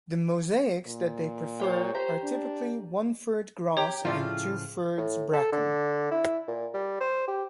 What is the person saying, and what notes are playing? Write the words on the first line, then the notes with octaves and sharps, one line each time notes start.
The mosaics that they prefer are typically one-third grass and two-thirds bracken.
A#2
C5 C#5 G5
G4 C5 A#5
D4
G4 C#5 A#5
A2 C#3 F3 E4 F4 D5 E5
A2
A4
D3
E4
A#2
G3
C5
G4